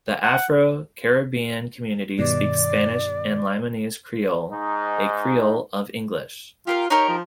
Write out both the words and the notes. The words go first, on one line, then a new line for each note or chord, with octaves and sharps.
The Afro-Caribbean community speaks Spanish and Limonese Creole, a creole of English.
F#5
G2 B2 D#3 D5
G#2 D#4
F4 G4 A#4 F5
D#4 G4 A#4 C#5
F3